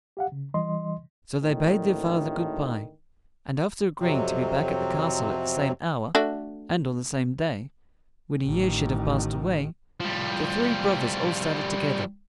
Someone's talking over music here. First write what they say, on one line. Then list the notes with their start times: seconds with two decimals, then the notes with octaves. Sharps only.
So they bade their father good-bye, and after agreeing to be back at the castle at the same hour, and on the same day, when a year should have passed away, the three brothers all started together.
0.17 G4 F5 F#5
0.32 C#3
0.54 E3 G3 D#5 C6
1.40 G#1 A2 D3 D#3 A3
4.00 F2 C3 F#3 C4
6.15 A3 D4 F#4
8.45 A1 D#3
10.00 F3 G3